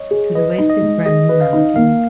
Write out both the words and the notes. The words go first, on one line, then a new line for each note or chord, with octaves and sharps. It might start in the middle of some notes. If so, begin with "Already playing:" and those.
To the west is Brandon Mountain.
Already playing: C#5 D#5
G#4
B4 D#5
D#4
D#5
G#3
G#4 D#5
B4
F5
D#4
A#3 F5